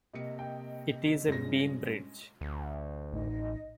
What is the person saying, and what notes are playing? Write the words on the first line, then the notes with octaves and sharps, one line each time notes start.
It is a beam bridge.
C3 A#3 D#5 C#7
G5
G2 A#2 G#3 C#4 A#6
D2
A1 D#4 D#5